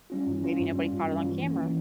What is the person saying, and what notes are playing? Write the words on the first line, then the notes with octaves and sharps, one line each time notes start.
Maybe nobody caught it on camera.
G3 C#4 F4
G2
G3 C#4 F4
G2
G3 C#4 F4
G2
G3 C#4 F4
E3
A#3 C#4
E3